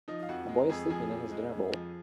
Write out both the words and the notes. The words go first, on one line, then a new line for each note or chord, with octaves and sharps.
A boy is sleeping in his dinner bowl.
F3 D#4 D#5
F5
F2 F#4 F#5
G#3
A#5
F2 G#4 G#5
F3 G#4 G#5
F2
G#3
F2
F3